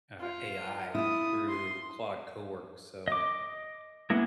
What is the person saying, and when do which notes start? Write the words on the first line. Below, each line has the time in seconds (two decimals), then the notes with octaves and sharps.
uh, AI through Claude Cowork, so,
0.20 F4
0.95 E4 F4 D#6
1.49 C6
3.08 D#5 D6
4.10 G#3 A#3 B3 E4 A#4